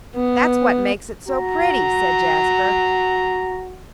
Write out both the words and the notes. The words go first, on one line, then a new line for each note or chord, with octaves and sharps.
"That's what makes it so pretty," said Jasper.
B3
F#4 A#5